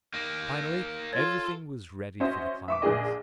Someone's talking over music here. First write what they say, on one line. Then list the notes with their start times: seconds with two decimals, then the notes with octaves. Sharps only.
Finally everything was ready for the climax.
0.14 A#3 D#4
1.13 F4 A4 C#5 G#6 A6
2.20 C#4 F#4 C5 D#5 E5
2.68 E5 C#6 D6
2.82 A#1 A#2 D4 G#4 D#5